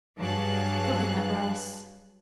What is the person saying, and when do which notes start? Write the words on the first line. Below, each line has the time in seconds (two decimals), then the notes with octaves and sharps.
Cocoanut Rice.
0.19 G2 F#3 G#4 F5 A5 F#6